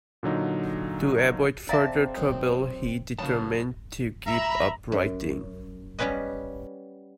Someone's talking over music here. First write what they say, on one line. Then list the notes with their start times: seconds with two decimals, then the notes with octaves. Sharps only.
To avoid further trouble, he determined to give up writing.
0.23 A#2 D3 F#3 D#4
1.69 C4 D5 E5 F5 A5 A#5
2.15 F#2 D#4
3.18 D#2 C#3 F#3 B3 A5
4.27 E5 A#5 B5
4.92 F#2
5.99 G3 B3 C#4 B4 D#5